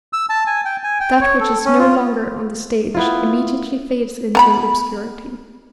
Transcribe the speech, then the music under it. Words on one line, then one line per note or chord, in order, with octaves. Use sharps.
That which is no longer on the stage immediately fades into obscurity.
E6
A5
G#5
G5
G#5
G5
C#5
A4
C#4
F4
B3 E4 F4
B3 A#5 B5